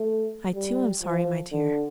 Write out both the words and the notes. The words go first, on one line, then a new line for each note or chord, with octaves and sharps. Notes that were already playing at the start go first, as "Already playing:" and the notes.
'I too, am sorry, my dear.
Already playing: A3
G3
F3
D3